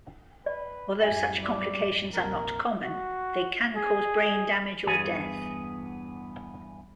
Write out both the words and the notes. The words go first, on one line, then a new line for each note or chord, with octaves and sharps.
Although such complications are not common, they can cause brain damage or death.
B4 D5
F#2 A2 G3 E5 G#5
D5
F1 A#1 A#4
F#4
G#4
E2 G2 B3 G#4 G#5